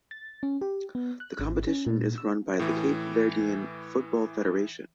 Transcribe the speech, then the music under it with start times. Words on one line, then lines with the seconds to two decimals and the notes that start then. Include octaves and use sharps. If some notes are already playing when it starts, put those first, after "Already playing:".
The competition is run by the Cape Verdean Football Federation.
0.11 A6
0.43 C#4
0.61 G4
0.95 B3
1.20 F#6
1.39 G#1
1.67 C#4
1.87 A#2
2.18 E6
2.60 A2 E3